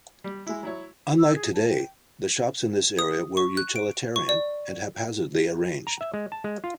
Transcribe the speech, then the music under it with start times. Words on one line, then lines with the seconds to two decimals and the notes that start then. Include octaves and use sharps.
Unlike today, the shops in this area were utilitarian and haphazardly arranged.
0.24 G3
0.47 G#3 E4
0.63 F#3 E4 C#5
1.18 E6
1.35 G#4
1.54 A5
1.68 G5
2.99 D#6
3.37 C#6
3.57 F#6
3.76 D7
4.16 C#6
4.29 D5
5.87 A#5
6.01 E5
6.14 G#3
6.32 A5
6.44 G#3
6.64 F4